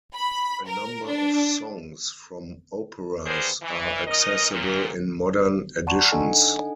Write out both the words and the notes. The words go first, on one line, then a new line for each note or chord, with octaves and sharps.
A number of songs from operas are accessible in modern editions.
B5
A#4
D4
G3 B3 D4 G#4 A#4 C5
E3
C#4 D#4 A#4 D#5
F#2 A#2
D5 F#5 A5 A#5 C6 C#6
D4 D#4 A4 D#5 F#5 G#5